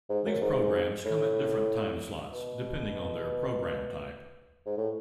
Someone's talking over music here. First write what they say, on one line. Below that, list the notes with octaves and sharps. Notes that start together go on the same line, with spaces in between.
These programmes come at different timeslots, depending on their programme type.
G#2
F#2
G#2
A2
B2
G#2
A2